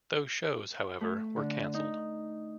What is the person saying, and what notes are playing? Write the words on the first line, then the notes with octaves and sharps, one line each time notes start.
Those shows, however, were cancelled.
A3
D3
D#4